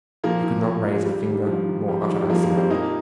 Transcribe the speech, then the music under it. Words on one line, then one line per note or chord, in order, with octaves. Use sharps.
He could not raise a finger nor utter a sound.
A#2 F3 A#3
F3
A#2
F3
G2 G3
D#3
G2 F3
D#3
F2 G3
F3
D#3
G3
F2 F3 A#3
F3 A#3
D#3
G3 C4
A#2 A#3 D#4